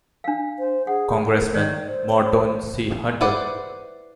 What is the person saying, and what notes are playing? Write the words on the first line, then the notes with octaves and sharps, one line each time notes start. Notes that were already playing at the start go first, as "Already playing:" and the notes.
Congressman Morton C. Hunter.
D4 F5
C5
G#4 F#5
A#4
D#3 C#5 D5
C5
E4 B4 C5 D5 F#5